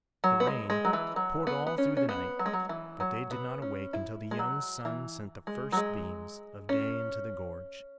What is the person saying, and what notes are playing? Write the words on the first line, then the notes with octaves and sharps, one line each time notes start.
The rain poured all through the night, but they did not awake until the young sun sent the first beams of day into the gorge.
F#3
B3
G#3
G#3
F#3
E3
F#3
B3
B3
C#4
C#4
B3
F#3
G#3
F#3
E3
F#3
B3
C#4
E4
G#3
F#3
E3
G#3
F#3
G#3
C#4